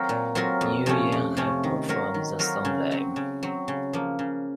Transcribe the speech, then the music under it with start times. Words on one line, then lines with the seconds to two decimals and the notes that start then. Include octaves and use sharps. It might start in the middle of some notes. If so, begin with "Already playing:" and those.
Neil Young has performed the song live.
Already playing: F#3 C4 F4 A#4
0.09 A#2
0.35 F#3 C4 F4 A#4
0.61 F2
0.86 C3 F3 A3 C#4
1.12 F2
1.37 C3 F3 A3 C#4
1.64 D#3
1.88 F#3 C4 F4 A#4
2.14 D#3
2.39 F#3 C4 F4 A#4
2.65 C#3
2.91 F#3 C4
3.16 C#3
3.43 F#3 C4
3.68 C#3
3.93 F3 A#3
4.19 C#3